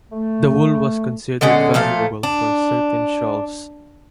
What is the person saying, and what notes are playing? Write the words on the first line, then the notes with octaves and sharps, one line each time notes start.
The wool was considered valuable for certain shawls.
A3
D3 G#3 B3 C#4
A#2 F3 A3 F5
D4